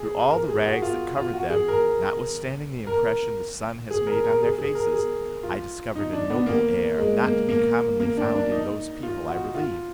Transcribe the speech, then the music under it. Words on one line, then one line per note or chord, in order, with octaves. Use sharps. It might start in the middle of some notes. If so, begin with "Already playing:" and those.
Through all the rags that covered them, notwithstanding the impression the sun has made on their faces, I discovered a noble air, not to be commonly found in those people I relieve.
Already playing: G#4
A#4
G#4
F#4
F4
F4
F#4
G#4
A#4
A#4
G#4
A#4
A#4
G#4
G#4
A#4
G#4
F4
D#4
D4
B3
A#3
G#3
A#3
A#3
A#3
D4
D4
D#4
F4
F#4
F4